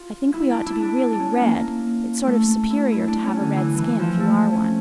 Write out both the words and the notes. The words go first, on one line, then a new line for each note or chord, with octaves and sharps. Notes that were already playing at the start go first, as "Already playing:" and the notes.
'I think we ought to be really RED - it's sort of superior to have a red skin, if you are one.'
Already playing: F4
E4
D4
E4
D4
D4
C#4
A#3
A3
E4
E4
D4
C#4
D3
E3
E3
F3
A3
C#4